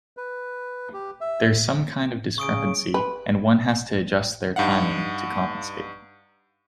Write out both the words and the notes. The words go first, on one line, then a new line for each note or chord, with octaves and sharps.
There's some kind of discrepancy, and one has to adjust their timing to compensate.
B4
G4
E5
C#3 C#6 D#6 D7
B4
G2 D#4 F5 F#5